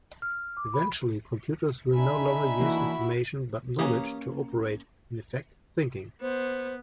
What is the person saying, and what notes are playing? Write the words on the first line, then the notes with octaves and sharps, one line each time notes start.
Eventually computers will no longer use information but knowledge to operate, in effect "thinking".
F6
D6
B5
D4 D#4 E5 G#5 B5
E3 A#3 E4 F#4
E3 A#3 C#4 G4 D#6
B3 C5